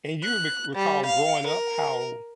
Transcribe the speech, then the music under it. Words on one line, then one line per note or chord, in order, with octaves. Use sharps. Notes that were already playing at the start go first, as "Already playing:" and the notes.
and you re recall growing up how
F#6
G3
F5
A#4